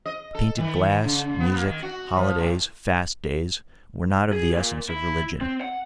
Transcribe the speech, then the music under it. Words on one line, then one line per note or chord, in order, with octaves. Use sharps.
Painted glass, music, holidays, fast days, were not of the essence of religion.
D#5
A4
D#3
C#3
B3
A#3
D#3
F#4
F3
A2
G#4
A#2
E4
C4
F#5